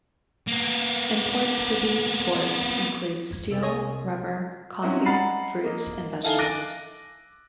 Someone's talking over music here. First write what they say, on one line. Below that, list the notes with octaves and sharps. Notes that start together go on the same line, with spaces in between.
Imports to these ports include steel, rubber, coffee, fruits, and vegetables.
A#3 B3
G#6
C2 E6 A6
G#4 C#5 D#5
F#3 C4 C#4 D#4 E4 F#4
D#5 F#5 A#5 B5 A6 C7
A#3 D#5
D#4 E4 A4 F5 G#5
D6 F#6 A6 A#6 D7 D#7